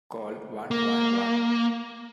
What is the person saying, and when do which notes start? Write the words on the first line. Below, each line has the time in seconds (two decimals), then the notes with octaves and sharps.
Call one one one.
0.71 A#3